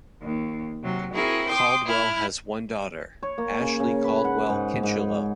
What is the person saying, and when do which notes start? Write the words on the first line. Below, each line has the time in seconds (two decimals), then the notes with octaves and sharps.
Caldwell has one daughter, Ashley Caldwell Kincheloe.
0.22 D#2
0.83 C3 F#3
1.14 C4 E4 F#4 G#4 A#4
1.48 G5 C6 D6 D#6
1.85 E4 F6
3.23 C#5
3.38 A#3
3.61 C#3
3.80 C#3
4.04 B4
4.25 F#5
4.49 G#2
4.83 G#2